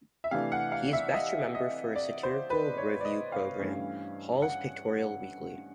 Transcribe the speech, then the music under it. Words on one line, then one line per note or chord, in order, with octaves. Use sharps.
He is best remembered for his satirical revue programme "Hall's Pictorial Weekly".
E5
C3 E3 A3 D4 F5
F#5
F5
E5
D#5
D#5
D5
C5
B4
C#5
D5
D#5
F5
G2 E3 A3 C#4
F#5